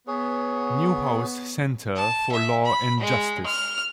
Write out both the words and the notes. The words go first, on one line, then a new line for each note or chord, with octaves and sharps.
Newhouse Center for Law and Justice.
B3 G#4 C#5
A5
E5
B5
G#3
F6